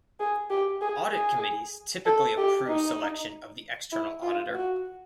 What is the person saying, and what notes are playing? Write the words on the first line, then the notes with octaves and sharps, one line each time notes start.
Audit committees typically approve selection of the external auditor.
G#4
G4
G#4
G#4
A4
G4
D#4
E4
F4
F#4